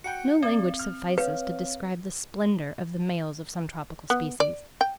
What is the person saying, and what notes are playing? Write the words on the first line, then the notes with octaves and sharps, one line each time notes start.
No language suffices to describe the splendour of the males of some tropical species.
F#4 F#5 G5 C#7
C4 D5
F6
B4 C#5 F5
B3
D5
G5